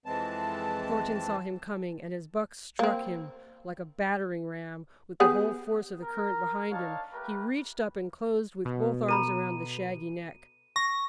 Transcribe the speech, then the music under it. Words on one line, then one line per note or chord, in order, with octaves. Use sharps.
Thornton saw him coming, and, as Buck struck him like a battering ram, with the whole force of the current behind him, he reached up and closed with both arms around the shaggy neck.
F2 E3 G#3 C4 A5
A#3 C4
B3 G4 G#4
A#4
D4 D#4 A#4 C#5 F5 A5
A3 A#3 G4 A#4 B4
B2
A4 A#5 B5 D#7
C#6 A#6